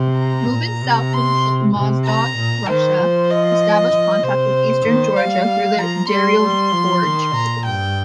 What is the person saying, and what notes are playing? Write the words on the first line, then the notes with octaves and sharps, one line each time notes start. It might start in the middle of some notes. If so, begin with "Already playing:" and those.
Moving south from Mozdok, Russia established contact with eastern Georgia through the Darial Gorge.
Already playing: C3
A#5
A#2
C3
C6
C3
A#5
A#2
D#3 C5
F3
D#5
F3
C3 C5
D#3
G3 F5
F3 A#5
G3 C6
G3
F3
D#3
A#2 A#5
G2 G5